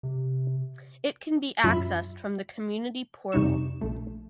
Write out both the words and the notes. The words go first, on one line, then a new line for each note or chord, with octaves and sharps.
It can be accessed from the Community Portal.
C3
F#2 F#3 F4 E5 B5
F2 C3 G3 D#4 C#6 E7
A#1 A3